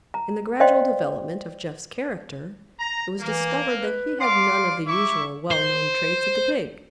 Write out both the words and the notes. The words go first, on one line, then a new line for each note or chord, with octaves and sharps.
In the gradual development of "Jeff's" character, it was discovered that he had none of the usual well-known traits of the pig.
A#5
C5 D5 D#5 F5 G5 C6
A#5
E3 A#3
B4
D5 F5 C6 D6
E4 E5 C#6 D6
C5